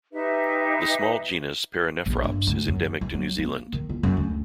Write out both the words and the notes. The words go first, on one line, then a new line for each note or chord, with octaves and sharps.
The small genus "Paranephrops" is endemic to New Zealand.
D#4 G4 B4 E5
A#1
G2
D2
F#2
E3
F#3
A#3
D#3
F4
F#2
D2